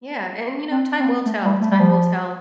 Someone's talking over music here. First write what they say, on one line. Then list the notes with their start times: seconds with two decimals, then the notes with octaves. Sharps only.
Yeah. And, you know, time will tell. Time will tell
0.71 C4
0.99 C4
1.26 A3
1.45 G3
1.60 A3
1.71 G3
1.80 F3